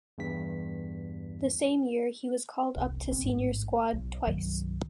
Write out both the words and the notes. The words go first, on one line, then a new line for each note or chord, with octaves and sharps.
The same year he was called up to senior squad twice.
E2 G2 B6
E1 C2
F1 A#1 C4
A1 G#2
B1
C2 G2 D#3 F#3